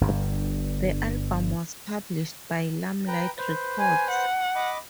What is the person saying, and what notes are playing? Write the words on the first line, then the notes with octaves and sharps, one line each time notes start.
The album was published by Limelight Records.
G1 G2
B4 G5 A#5
B4 C5
G#5
F#5
D#5 B5 D6